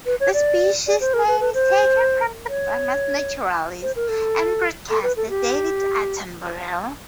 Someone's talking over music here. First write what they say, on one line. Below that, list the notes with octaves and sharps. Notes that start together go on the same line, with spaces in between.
The species name is taken from the famous naturalist and broadcaster David Attenborough.
B4
C#5
D5
D5
C5
A#4
B4
B4
C5
C#5
C5
A#4
A4
A4
B4
A4
G4